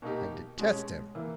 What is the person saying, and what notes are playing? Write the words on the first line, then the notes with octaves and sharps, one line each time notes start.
I detest him!
B2 A#3 D#4 G4
B2 G#3 C#4 G#4
E3 A#3